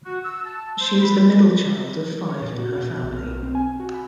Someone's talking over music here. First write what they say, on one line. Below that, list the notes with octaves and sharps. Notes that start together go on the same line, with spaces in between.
She is the middle child of five in her family.
F#4
E6
A5
C5
B5
C#5
A#2
F#4
B2
B1
F6
B1
C4
G#5
F#4
B5